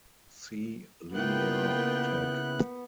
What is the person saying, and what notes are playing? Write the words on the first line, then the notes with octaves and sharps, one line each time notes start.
See Linear Tech.
C#3 A#3 B3 E4 F4 G5 F#6